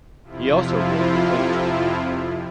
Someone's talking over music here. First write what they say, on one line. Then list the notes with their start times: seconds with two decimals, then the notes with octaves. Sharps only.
He also wrote poetry.
0.24 F2 C3 F3 E4 F4